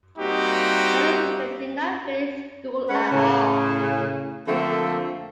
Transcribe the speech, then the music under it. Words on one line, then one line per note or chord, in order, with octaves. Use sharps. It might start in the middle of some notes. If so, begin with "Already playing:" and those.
Many children did not finish school at all.
G3 A#3 C4 D#4 F#4 G4
G#3 C#4 B4 F#5
A2 C#3
D3 F3 A3 A#3 C4